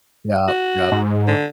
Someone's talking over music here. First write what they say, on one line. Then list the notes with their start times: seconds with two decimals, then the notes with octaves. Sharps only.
Yup, yup.
0.48 F#4
0.92 G#2
1.28 D3